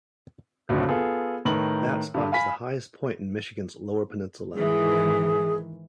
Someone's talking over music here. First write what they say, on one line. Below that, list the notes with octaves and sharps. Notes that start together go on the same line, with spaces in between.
That spot is the highest point in Michigan's Lower Peninsula.
D1 C#2 F#2 A2 F3 D4
B3 F4 G#4 A4
A2 D#3 A#4 B4 F#7
G2 D3
F5 G#5 B5 B6
G#2 D#3 E3 G#4